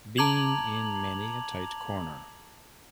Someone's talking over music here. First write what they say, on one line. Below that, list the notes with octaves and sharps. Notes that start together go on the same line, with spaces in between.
Been in many a tight corner.
A5 A#5 D6 G#6 F7 F#7